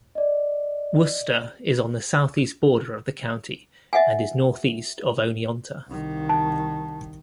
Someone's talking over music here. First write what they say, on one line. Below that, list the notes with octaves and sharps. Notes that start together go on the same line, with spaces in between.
Worcester is on the southeast border of the county and is northeast of Oneonta.
D5 D#5
D#5 E5 F#5 G#5
C2 D#3
A5